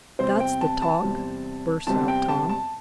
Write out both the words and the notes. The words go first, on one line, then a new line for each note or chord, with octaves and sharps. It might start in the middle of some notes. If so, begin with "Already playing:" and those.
"That's the talk!" burst out Tom.
E2 C3 G3 C4 C5
G5
A5
A5
E2 C3 G3 C4
E2 C3 G3 C4 A5
G5
A5
A5